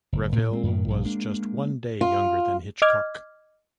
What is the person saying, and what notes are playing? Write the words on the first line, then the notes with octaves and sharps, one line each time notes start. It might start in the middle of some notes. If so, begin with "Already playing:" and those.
Reville was just one day younger than Hitchcock.
F#1
A2
G#3 A3 C4
F#2 A2 D#3
A#1 G2 B2
G#3 A#3 D4
F4
D#5 D6 F6 G#6